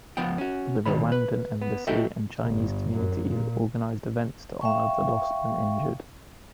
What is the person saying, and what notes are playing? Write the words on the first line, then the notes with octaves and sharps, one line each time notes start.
The Rwandan embassy and Chinese communities organized events to honor the lost and injured.
C#2 F3 B3 F#5 G5
C#4 F#4
C2 B2 D#3 C#5 B5
B4
B3
F#4 A4 D#5 E5 G5
G1
F#2
A#2
E5 F5 G5 C#6